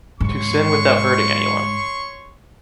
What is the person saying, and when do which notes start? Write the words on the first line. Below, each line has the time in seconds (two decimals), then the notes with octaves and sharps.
To sin without hurting anyone.
0.21 G#2 C#5 C6 C#6